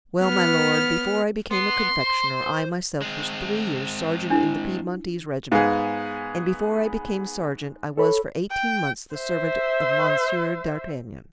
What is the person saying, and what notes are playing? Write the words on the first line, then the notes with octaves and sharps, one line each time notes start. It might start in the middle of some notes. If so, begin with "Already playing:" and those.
"Well, my lord, before I became a confectioner I myself was three years sergeant in the Piedmontese regiment, and before I became sergeant I was for eighteen months the servant of Monsieur d'Artagnan."
B3 F6
B3 C6
C5
G#3 C4
D4 E4
G#2 B3 G#4 F5
A4 C#5 B5
G5
C5 E5